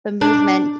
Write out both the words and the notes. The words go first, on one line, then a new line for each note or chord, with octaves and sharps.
the movement.
D4